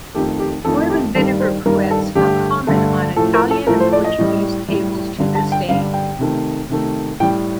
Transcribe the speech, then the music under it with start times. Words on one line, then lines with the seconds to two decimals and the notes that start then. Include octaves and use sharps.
Oil and vinegar cruets are common on Italian and Portuguese tables to this day.
0.15 F2 D#3 A3 G4
0.39 G4
0.65 F2 D#3 A3 A4
0.90 G4
1.15 G2 D#3 G3 A4
1.40 C5
1.66 G2 D#3 G3 A#4
1.91 A4
2.16 G2 D3 A3 G4
2.67 G2 D3 A3
3.16 A2 F3 A3 A4
3.34 A#4
3.51 A4
3.67 A2 F3 A3 A#4
3.80 C5
3.93 D5
4.04 D#5
4.18 A2 G3
4.68 A2 G3
5.18 G2 D3 G3
5.35 A5
5.52 G5
5.69 G2 D3 G3 F5
5.94 G5
6.19 C3 D#3 A3
6.69 C3 D#3 A3
7.20 A2 G3 G5